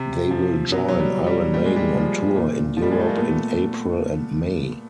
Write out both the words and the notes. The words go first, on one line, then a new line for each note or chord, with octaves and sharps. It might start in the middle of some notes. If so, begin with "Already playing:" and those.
They will join Iron Maiden on tour in Europe in April and May.
Already playing: C3
F3
B2 F#3
F#3
G3
G3
A#2 G3
G#3
G3
F3
A#2
F3
G3
G#3
A3
A#3
A#2 A3 B3